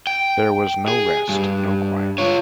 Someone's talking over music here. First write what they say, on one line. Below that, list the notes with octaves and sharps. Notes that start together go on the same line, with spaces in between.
There was no rest, no quiet.
G5
G#4
G2
F4 C#5